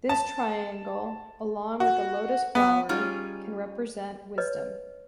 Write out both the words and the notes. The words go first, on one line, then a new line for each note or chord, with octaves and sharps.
This triangle, along with the lotus flower, can represent wisdom.
A5
F#4
B3
G3 C#4 D#4 F4 G#4
B4 C#5 D#5